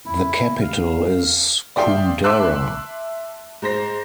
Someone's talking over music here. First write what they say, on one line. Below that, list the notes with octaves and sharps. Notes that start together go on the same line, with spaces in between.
The capital is Koundara.
E4
F5
D5 E5 F5 G5 C6 D#6
E5 A5 C6 D6 E6 F#6
G#2 C5 A#6